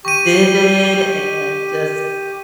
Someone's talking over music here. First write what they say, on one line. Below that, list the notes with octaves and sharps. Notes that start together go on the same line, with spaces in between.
vivid and just
G4 C#6 D#7